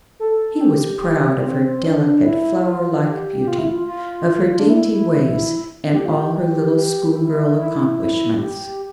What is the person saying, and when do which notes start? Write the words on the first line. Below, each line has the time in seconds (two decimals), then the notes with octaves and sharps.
He was proud of her delicate, flower-like beauty, of her dainty ways, and all her little schoolgirl accomplishments.
0.20 A4
0.61 G4
1.02 G4
1.42 C4
1.84 D4
2.24 E4
2.65 F4
3.06 G4
3.48 F4
3.58 E4
3.69 F4
3.88 F4
4.59 D4
4.70 E4
5.93 G4
6.06 F4
6.17 G4
7.16 E4
7.57 E4
7.97 E4
8.39 G4